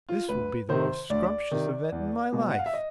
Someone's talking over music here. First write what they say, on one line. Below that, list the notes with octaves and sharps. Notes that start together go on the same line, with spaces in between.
This will be the most scrumptious event in my life.
F4
D2 B4
C3 D#3 C5
D2 D5
C3 D#3
E2
B2 G#3 B3
F#5
F5
E5
D#5